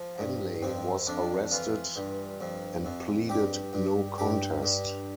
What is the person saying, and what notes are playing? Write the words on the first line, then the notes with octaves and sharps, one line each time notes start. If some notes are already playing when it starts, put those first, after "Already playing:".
Henley was arrested and pleaded no contest.
Already playing: F3
G2
F2 C4
F2 D4
E3 F4
G2
F2
F2
G2 G4
G2
G2 G4
G2